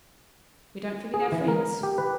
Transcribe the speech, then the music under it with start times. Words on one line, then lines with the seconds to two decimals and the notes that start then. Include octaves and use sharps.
We don't forget our friends.'
1.14 G#4
1.32 E3
1.48 A#4
1.83 G4
1.98 B4